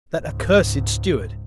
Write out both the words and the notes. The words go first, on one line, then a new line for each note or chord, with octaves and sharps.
That accursed steward!
C#2 G#2